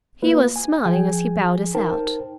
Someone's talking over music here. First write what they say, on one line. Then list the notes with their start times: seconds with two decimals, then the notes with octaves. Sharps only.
He was smiling as he bowed us out.
0.22 A#3 F4 B4
0.56 G#5
0.85 F3 G#4 G5 G#5
1.75 D#4 A#4 C5 G5 A5